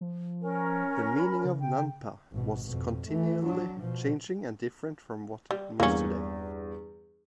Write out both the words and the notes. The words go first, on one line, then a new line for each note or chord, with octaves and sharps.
The meaning of nanpa was continuely changing and different from what it means today.
F3
C#4 A#4
B5
C#3
G5
G#1 B2
F2 B2
E3 A3
F#3 D4
B2 F3
G3
E2 G2 A#3 C#4